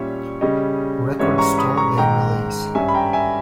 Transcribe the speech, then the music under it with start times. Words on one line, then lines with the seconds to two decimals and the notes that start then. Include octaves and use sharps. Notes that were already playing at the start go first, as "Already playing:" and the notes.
Record Store Day release.
Already playing: A#2 G3 C#4 C#5 E5
0.41 C#3 G3 C#4 D#5
1.19 G#2 E3 G3 C#4 C#5 E5
1.38 A#5 C#6
1.58 B5 D#6
1.77 A#5 C#6
1.97 G#2 D#3 G#3 G5 A#5
2.75 G2 G3 C#4 E5 G#5
2.89 B5
2.94 G5 A#5
3.13 E5 G#5